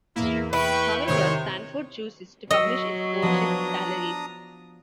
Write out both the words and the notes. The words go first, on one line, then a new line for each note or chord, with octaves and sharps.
However, Stanford chooses to publish its coaches' salaries.
E2 A#3 E4
E4 B4 G5 C#6
C3 D#3 C5 C#5
F#3 D#5 C#6 E6
F3 B3 D4 A#5 D#6